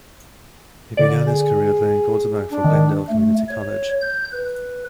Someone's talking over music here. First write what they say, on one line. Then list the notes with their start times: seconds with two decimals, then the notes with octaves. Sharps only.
He began his career playing quarterback for Glendale Community College.
0.97 D3 D5
1.26 G#4
2.51 D4
2.64 D#3
3.09 A3
3.49 C#5
4.01 G6
4.32 B4